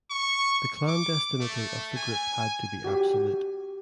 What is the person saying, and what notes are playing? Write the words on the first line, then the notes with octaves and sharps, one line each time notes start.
The clandestinity of the group had to be absolute.
C#6
D6
A3
G#5
F#4 G4